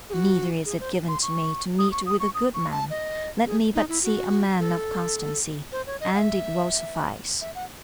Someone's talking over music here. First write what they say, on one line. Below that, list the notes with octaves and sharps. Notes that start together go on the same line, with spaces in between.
Neither is it given to me to meet with a good man; let me but see a man of constancy, and it will suffice.
G#4
F#4
G#4
C5
C6
C#6
D#6
C#6
D#6
C#6
D#6
C#6
A5
D#5
G#4
D#4
E4
F#4
A4
C5
C#5
D#5
F#5
E5
E5
F#5